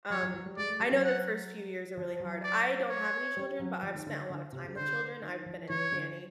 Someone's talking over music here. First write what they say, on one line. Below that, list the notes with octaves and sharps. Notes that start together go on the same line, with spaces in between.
Um, I know the first few years are really hard. I don't have any children, but I've spent a lot of time with children, I've been a nanny
F#3 C#5
F#3
F#3
G3
G#3 D5
A3
G3
F#3
F#5
F3
F#3
D5
C#5
G3
F#3
F3
D#3
D3
D3
C3
C#3
D3 C5
D#3
F3
E3 C#5
D3